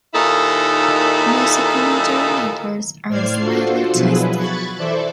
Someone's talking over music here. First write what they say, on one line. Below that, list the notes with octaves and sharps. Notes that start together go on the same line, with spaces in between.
Most documentary makers are slightly twisted.
D#2 A#2 D#3 D#4 E4 A4
A2 C5 D5 F6 G#6 C7
D4 F4 F#4 A4 C5
B2 F3 F#3 E4 G#4 B4
B5 C#6 F#6 G#6 A6 C#7
E3 A4 C5 D5 E5 D6